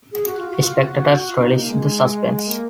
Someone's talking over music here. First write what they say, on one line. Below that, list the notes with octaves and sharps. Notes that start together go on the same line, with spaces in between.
Spectators relish the suspense.
G#4
F#4
F4
F#4
F4
F#4
F4
D4
D#4
A#3
G#3
A#3